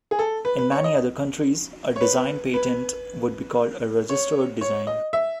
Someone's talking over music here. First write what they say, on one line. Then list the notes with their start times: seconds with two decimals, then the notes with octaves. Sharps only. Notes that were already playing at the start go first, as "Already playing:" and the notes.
In many other countries, a Design Patent would be called a "registered design".
0.11 G#4
0.19 A4
0.45 B4
0.58 B4
0.72 C#5
0.84 D#5
1.96 C#5
2.01 B4
2.54 B4
4.10 C#5
4.61 C#5
4.87 D#5
5.13 E5